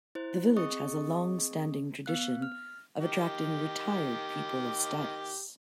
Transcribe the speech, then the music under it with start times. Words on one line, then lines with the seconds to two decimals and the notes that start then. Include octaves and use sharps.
The village has a long-standing tradition of attracting "retired people of status".
0.15 E4 C5
0.56 C4 G#4 D#5 C#6 D#6
2.06 B3 F5 F#6
2.42 F6
3.00 D#3 G4